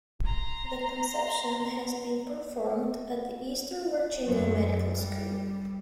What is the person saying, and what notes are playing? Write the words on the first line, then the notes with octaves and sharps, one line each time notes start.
The conception had been performed at the Eastern Virginia Medical School.
A#5 C6
F#2
G3